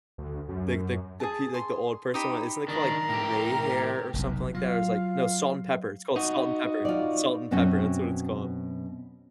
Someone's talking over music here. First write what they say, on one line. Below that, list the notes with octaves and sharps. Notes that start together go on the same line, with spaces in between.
the the the pe like, old person one. Isn't it called, like, gray hair, or something like that, or is like No, Salt and Pepper. It's called Salt and Pepper. Salt and Pepper, that's what it's called.
D2
F#2
G#4 A5
C6
D#4 G4 B5
D#3 D4 A#4
A2 G4
F1 B1 E2
F#3 F4 F5
D#4 F#4
F4 D5
F#2 B2 C4 C#4